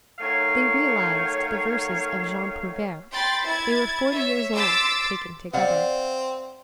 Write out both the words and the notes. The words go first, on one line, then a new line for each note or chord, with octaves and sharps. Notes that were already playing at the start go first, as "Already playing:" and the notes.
They realized the verses of Jean Prouvaire; they were forty years old taken together.
D#3 F#3 A3 C#5 F5
G5 B5 C6 A6
E4 G#6 A6
C#5 E5
C6 D6 E6 A6 B6
C4 D5 F5 F#5